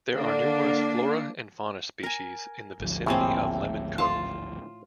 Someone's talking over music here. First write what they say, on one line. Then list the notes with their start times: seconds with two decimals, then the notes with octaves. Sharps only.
There are numerous flora and fauna species in the vicinity of Lemon Cove.
0.14 D3 A#3 D4
2.03 A#4 G#5
2.80 G#1 D2 F3
3.06 A2 G#3 A#3 C4
3.98 F4 A5